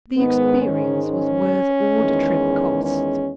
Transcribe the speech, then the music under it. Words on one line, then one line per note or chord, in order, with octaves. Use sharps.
"The experience was worth all the trip cost."
G#2 D#3 G#3 B3
C#4
C#4
E2 D#3 G#3
C#4